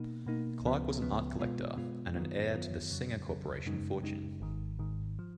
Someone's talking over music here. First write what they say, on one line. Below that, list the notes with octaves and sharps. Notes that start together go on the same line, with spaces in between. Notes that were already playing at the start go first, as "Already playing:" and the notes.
Clark was an art collector and an heir to the Singer Corporation fortune.
Already playing: B2 A#3 D#4
B2 A#3 D#4
C#2 C#3 F3 B3
C#2 C#3 F3 B3
B2 G#3 B3 F4
B2 G#3 B3 F4
F#2 D#3 F#3 B3 F4
F#2 D#3 F#3 B3 F4
F2 C#3 F#3
F2 C#3 F#3
F#2 C#3 G#3 D#4
F#2 C#3 G#3 D#4
G#1 G#2 D#3
G#1 G#2 D#3
F3